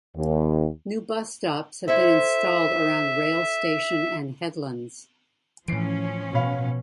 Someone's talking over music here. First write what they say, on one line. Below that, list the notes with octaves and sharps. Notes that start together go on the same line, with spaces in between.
New bus stops have been installed around rail station and headlands.
D#2
E4 A4 C5 E5
A2 E3 F3 C#4 C7 D7
B2 C#5 F5 B5